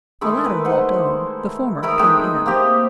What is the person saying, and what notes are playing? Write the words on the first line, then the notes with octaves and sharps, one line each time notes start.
The latter walked on; the former came in.
D#3 G#3 A3 E4
B4
C5 F#5
D#3 E4 A#4 B5
G#3 A3 D#4 G5
A#3 C4 G4 D#5